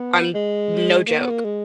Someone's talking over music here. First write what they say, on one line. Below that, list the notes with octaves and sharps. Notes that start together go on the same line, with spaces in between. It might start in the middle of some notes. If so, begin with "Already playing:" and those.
I'm no joke.
Already playing: B3
G#3
A#3
B3
A#3
G#3